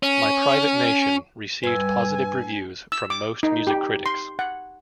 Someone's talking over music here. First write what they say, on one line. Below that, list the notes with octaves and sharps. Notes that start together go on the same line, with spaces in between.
"My Private Nation" received positive reviews from most music critics.
C#4
G2 B4 G#5 E6
E6
D6
D#4
G4
C6
F#5